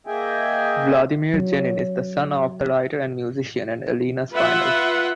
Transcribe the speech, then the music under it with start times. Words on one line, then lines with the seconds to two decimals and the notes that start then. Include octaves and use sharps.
Vladimir Genin is the son of the writer and musician and Elena Spinel.
0.07 A#3 G#4 D#5 E5 G5 G#5
1.34 F#3
4.32 F4 B4 E5 F#5